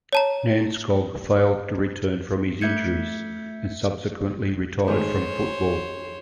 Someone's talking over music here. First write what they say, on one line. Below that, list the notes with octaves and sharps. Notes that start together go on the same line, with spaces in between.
Nannskog failed to return from his injuries and subsequently retired from football.
C#5 A5 A#5
A3 E5 G6 G#6 C#7
G#2 D#3 A3 C5 C#5